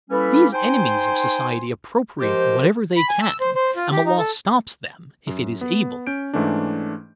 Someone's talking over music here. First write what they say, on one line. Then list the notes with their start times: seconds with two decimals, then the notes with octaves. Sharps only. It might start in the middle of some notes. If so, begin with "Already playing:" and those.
These enemies of society appropriate whatever they can, and the law stops them if it is able.
0.10 G3 A#3 C#4 E4 A4 B4
0.53 D#4 C5 G5 G#5 C6
2.19 F3 G#3 G4 A#4 C5
2.97 B5
3.09 G#5
3.22 E6
3.41 C5
3.55 C5
3.76 F4
3.92 G4
4.06 D#4
4.19 A4
5.27 F#2
5.61 B3
6.07 C#4 G6 D7
6.34 G#2 E3 A3 C#4 D4